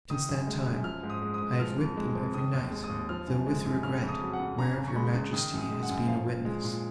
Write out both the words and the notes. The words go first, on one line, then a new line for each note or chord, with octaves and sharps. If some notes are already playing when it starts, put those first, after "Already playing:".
Since that time I have whipped them every night, though with regret, whereof your majesty has been a witness.
D#3 D#6
F#2
G#3
F#2
F3 F6
G#2
D#6
G#3
D#6
G#2
F3 F6
F2
G#3
F2
D#3 D#6
D#2
G#3
D#6
D#2
F3 F6
F#2
G#3
F#2
C#3 F6
F2
D#6
F#3
F#5
F2
C#3 A#5
C#2
C#6
G#3 B5
C#2
D#3 D#6
F#2
D#6
G#3
F#5
F#2
F3 F5
A#2
G#3
A#2